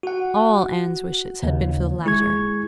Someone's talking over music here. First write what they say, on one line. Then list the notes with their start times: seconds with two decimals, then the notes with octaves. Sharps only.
All Anne's wishes had been for the latter.
0.03 F#4 F#5
1.42 D#2 C#3
2.05 G#3 E4 G#4 C#6 G#6